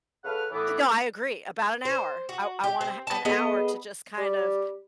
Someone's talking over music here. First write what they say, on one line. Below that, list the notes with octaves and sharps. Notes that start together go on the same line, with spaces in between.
Uh, no, I agree, about an hour, I w I want a ha an hour to just kind of
C#3 A4 B4 F#5 F6
A2 E3 B3 D6
C5
F#4
G4
C4
B3 A5
B3 G#4 A4 D#5
G3